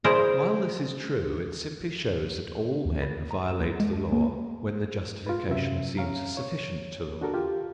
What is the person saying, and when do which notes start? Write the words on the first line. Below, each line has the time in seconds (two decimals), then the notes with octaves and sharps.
While this is true, it simply shows that all men violate the law when the justification seems sufficient to them.
0.04 E4 G#4 A#4 C5 D5
2.85 D#2
3.02 B5
3.31 A#5
3.48 E7
3.60 D#2
3.80 G#3
3.93 A5
4.12 A#3
5.27 F4 B4
5.49 F#2 C3 F#3 C#4 E5
5.97 C#4 F5 A#5
6.37 C#5
7.21 D4 F#4 A4 A#4
7.34 F4 G4 F5